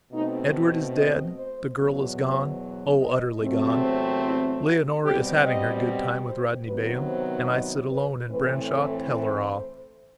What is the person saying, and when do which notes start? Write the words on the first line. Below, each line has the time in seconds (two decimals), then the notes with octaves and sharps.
Edward is dead; the girl is gone--oh, utterly gone; Leonora is having a good time with Rodney Bayham, and I sit alone in Branshaw Teleragh.
0.13 B2 A3 C4 D#4
0.54 E4
0.95 D#5
1.36 C5
1.77 E2 B2 F#3
2.18 C5
2.99 D#5
3.40 E2 C3 F#3 A3 C4
3.81 C5
4.21 E4
4.63 F#4
5.04 B2 G3 C4 G4
5.44 D#5
6.25 C5
6.67 C3 D#3 F#3 B3 B4
7.07 C5
7.49 D#5
7.90 B4
8.30 A2 E3 A3 C4 B4
8.72 A4
9.12 C5
9.53 C5